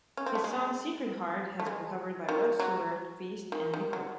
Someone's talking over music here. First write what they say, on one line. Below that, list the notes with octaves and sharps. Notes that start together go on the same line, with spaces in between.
His song "Secret Heart" has been covered by Rod Stewart, Feist, and Nick Lowe.
C#4
C4
A3
G#3
A3
G#3
D#3
F#3
D#3
D#3
F#3